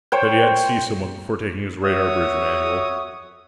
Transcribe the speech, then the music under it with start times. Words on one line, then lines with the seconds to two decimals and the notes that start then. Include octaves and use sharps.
Said he had to see someone before taking his radar-bridge manual.
0.12 C5 C#5 G5
1.82 F#4 C#5 E5 D#6